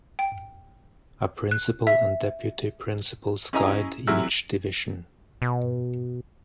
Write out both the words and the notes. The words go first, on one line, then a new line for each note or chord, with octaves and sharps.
A principal and deputy principals guide each division.
G5
F#6
E5
C#4 E4 G#4 D#5 G#5 A#5
A1 C3 F#3 E4 E6 F6
B2